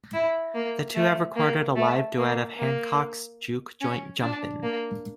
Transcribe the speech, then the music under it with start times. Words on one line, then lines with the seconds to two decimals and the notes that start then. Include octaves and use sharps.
The two have recorded a live duet of Hancock's "Juke Joint Jumpin'".
0.13 E4
0.55 A#3
0.95 A3
1.36 A#3
1.76 A3
2.17 A#3
2.58 A#3
3.81 C#4
4.22 D4
4.63 A#3